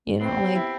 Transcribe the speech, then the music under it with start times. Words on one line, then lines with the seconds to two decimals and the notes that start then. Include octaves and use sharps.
you know, like,
0.20 B3 C4
0.37 G4
0.55 E4